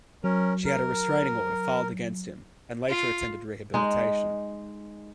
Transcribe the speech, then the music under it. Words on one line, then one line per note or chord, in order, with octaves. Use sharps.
She had a restraining order filed against him, and later attended rehabilitation.
F#3 C#4 A#4
A#4
F4
G#3 D#4